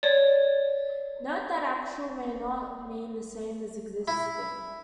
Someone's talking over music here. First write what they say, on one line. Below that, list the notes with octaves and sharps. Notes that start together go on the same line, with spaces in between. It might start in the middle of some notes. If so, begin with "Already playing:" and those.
Note that "actual" may not mean the same as "existing".
C#5 D5
E4